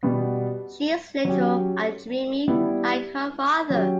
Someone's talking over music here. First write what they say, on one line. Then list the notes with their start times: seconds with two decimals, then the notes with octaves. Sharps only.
She is little and dreamy, like her father.
0.03 B2 G3 B3
1.25 F#3 C#4 G4
2.48 G3 B3 E4
3.70 F#3 C#4 G4